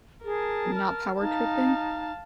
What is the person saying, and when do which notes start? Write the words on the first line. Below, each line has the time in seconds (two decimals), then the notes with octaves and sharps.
not power tripping?
0.25 G#4 A#4 A5
0.75 F6
1.21 D#4 F5 A5